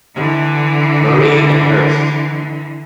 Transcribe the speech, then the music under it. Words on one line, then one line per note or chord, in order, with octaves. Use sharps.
Marie and Hearst.
D3 E3